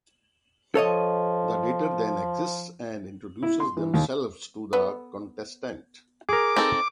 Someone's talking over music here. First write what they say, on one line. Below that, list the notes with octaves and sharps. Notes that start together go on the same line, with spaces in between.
The dater then exits and introduces themselves to the contestant.
F3 A4 C#5 D#5
E4
C6
E3
D#2
B3 A4
G#4 A#4 D6
C4 D#4 A4